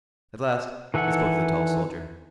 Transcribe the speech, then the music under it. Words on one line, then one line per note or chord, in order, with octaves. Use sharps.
At last he spoke to the tall soldier.
D#3 E3 A4 E5 F#5